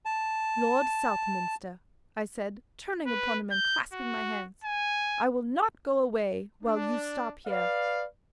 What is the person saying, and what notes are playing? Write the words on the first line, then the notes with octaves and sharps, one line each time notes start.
'Lord Southminster,' I said, turning upon him and clasping my hands, 'I will not go away while you stop here.
A5
B4
G6
F#4
G#5
D4
B4 D5 F5